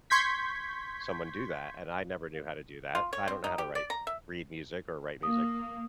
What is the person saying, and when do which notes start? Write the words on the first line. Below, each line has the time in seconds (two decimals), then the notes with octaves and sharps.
someone do that, and I never knew how to do that. I don't know how to write read music or write music.
0.10 C6 C#6 G6 G#6 B6
2.95 F4
3.13 C#5
3.28 C4
3.44 D#4
3.58 G4
3.75 D5
3.90 A#5
4.07 E5
5.23 A#3 D#6